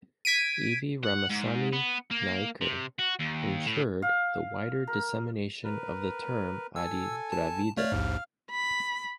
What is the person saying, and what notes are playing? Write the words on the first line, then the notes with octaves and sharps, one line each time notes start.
E. V. Ramasami Naicker ensured the wider dissemination of the term "Adi Dravida".
G#6 B6 D7 D#7
F#5
G#2
B3
A#3
C3
F#4
D#2
A2
F5
A#4
A#4 B4
A4 G#5 E6
A5
A3 C#5 D5 F5
A#1 D#2 G#2
B5